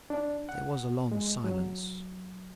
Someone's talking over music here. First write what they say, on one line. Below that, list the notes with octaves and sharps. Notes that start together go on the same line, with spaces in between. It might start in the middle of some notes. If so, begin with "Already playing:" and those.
There was a long silence.
D4
F#5
G#3
F#3